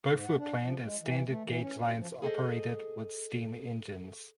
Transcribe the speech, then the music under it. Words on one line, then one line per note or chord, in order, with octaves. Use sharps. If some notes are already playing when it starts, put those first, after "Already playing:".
Both were planned as standard gauge lines operated with steam engines.
G#2
F#5
D4
F3
G#3
E3
A3
E3
C#4
B2
F3
G#4 A4 C5 D#5